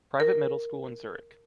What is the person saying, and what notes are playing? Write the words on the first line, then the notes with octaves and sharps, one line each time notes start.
Private middle school in Zurich.
A#4